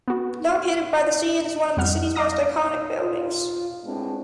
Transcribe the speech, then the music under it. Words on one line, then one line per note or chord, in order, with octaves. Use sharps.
Located by the sea, it is one of the city’s most iconic buildings.
B3 F#4
F2 G3 F#5 F6
D5 D#5 F5 A#5 D#6 A#6
F4
A2 G#3 B3 C4 D4